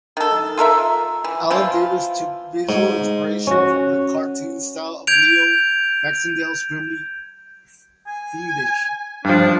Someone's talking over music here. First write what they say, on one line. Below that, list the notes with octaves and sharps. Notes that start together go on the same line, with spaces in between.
Alan Davis took visual inspiration from the cartoon style of Leo Baxendale's "Grimly Feendish".
D#3 A4
F4 A4 A#4 E5
E3
E3 F3 E4 F4
G#2
C#4 F#4
G6 G#6 D7 F7
G#5
G2 F3 D4